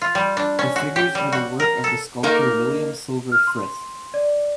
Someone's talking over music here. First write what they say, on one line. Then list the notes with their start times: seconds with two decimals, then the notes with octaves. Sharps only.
The figures are the work of the sculptor William Silver Frith.
0.01 F4
0.15 G3
0.37 D4
0.59 C#4
0.76 F#4
0.96 G4
1.15 G3
1.32 F#4
1.60 A#4
1.84 A4
2.23 A#3 D#4 A#4
3.32 F6
3.47 C6
4.14 D5